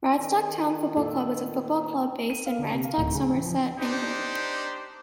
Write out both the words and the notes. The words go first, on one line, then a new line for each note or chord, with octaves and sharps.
Radstock Town Football Club is a football club based in Radstock, Somerset, England.
D#3
A#2 F4 A4
D#7
F5
D3
C3
F5
D1
C#3
E3
F3
D4 D#4 G4 C5